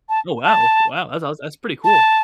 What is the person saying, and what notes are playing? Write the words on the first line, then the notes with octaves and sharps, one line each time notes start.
Oh wow, wow, that's awes that's pretty cool.
A5
A5
A5